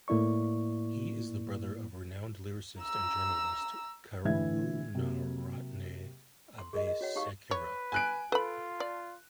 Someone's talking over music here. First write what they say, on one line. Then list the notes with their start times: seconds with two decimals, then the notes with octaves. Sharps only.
He is the brother of the renowned lyricist and journalist Karunaratne Abeysekera.
0.08 A2 A#3 E4 D5 C#6
2.82 A#5 E6
4.25 A2 D3 E3 E5 G#6
4.95 C3 F#3 A#3
6.58 C6
6.73 G#4 A#4 D#5
6.87 D#5
7.01 F#4 C#5 F#5
7.15 D#4 G4 F5 C#6 E6
7.51 B4 C#5
7.92 G#5 F#6 D7
8.32 F4 A4 B4 B5
8.80 D5